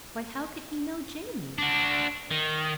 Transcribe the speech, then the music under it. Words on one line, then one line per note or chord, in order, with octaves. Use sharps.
"Why, how could he know Jamie?"
D4 F#4
D#3